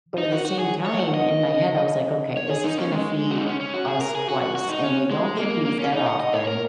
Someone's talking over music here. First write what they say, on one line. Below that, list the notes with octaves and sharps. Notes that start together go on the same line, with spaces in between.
But at the same time, in my head, I was like, "Okay, this is gonna feed us twice, and we don't get beef that often,
D#4
F#4
F#4
G#4
C#5
F#5
D#5
C#5
G#4
D#4
C#4
G#3
F#4
D#4
C#4
C#4
F#4
G#4
A#4
G#4
F#4
F#4
F#4
D#4
C#4
G#3
A#3
A#3
C#4
D#4
F#5
D#5
C#5
A#4